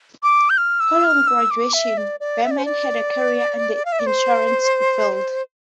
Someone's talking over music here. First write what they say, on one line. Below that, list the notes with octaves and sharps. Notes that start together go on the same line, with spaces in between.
Following graduation, Beman had a career in the insurance field.
D6
G6
F6
E6
F6
E6
D6
E5
D5
D5
E5
D5
C5
D5
F5
E5
D5
C5